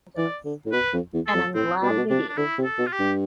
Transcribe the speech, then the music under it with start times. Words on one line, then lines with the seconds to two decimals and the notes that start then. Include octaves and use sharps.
And I’m glad we did.
0.17 E3 D5
0.45 D3
0.66 A2
0.72 B2 B4
0.93 F2
1.14 E2
1.27 A4
1.34 F2
1.55 A2 C4
1.82 B2 D4
1.89 A2
1.97 B2
2.10 C3 D4
2.29 D4
2.37 D3 E4
2.58 C3
2.64 A4
2.78 B2
2.87 F4
2.92 G4
2.99 G2